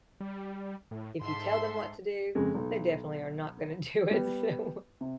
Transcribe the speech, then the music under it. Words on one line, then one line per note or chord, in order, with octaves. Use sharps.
if you tell them what to do, they definitely are not going to do it, so
G3
A2
G#2 A4 E5 C6
F2 C#3 G#3
B1
G3 B3
C3